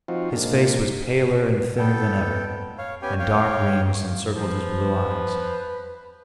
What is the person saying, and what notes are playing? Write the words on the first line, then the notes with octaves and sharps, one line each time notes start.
His face was paler and thinner than ever, and dark rings encircled his blue eyes.
F3 C4 D#4 F4 F#4
A#2 G#3 A#3 D4
B3 A4 G5
C#5 F5
B3 C#4 G4 G5 G#5
C#5 F5 G5
F3 B4